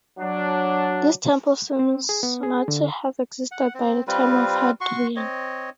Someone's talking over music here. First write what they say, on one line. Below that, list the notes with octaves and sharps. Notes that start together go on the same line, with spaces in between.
This temple seems not to have existed by the time of Hadrian.
F#3 D4
C4
G#4
B3
G#4
D3
F#5
C4
G3 C4 F4 B4
F#4 C6 C#6
C4 C#5 D#5